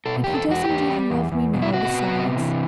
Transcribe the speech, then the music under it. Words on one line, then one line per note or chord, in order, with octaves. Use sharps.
"And he doesn't even love me now, besides."
B2 A4
E2 G4
A4
E2 F#4
G4
E2
G3
E2
E2
B2
E4
C3 F#4
B3
C3
E3